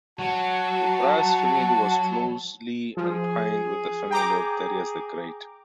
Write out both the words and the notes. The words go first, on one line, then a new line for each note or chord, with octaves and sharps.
Gobryas' family was closely entwined with the family of Darius the Great.
F#3 F#4 A5
F3 G#4
G5 A#5 D6